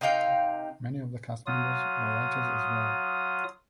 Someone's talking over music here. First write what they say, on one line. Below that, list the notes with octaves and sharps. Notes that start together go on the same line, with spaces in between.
Many of the cast members were writers as well.
C3 D#4 F5 G5
F#3 F4 D#6